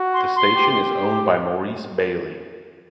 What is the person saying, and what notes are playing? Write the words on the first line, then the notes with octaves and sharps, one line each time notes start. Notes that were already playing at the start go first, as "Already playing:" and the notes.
The station is owned by Maurice Bailey.
Already playing: F#4
C6
C6
G4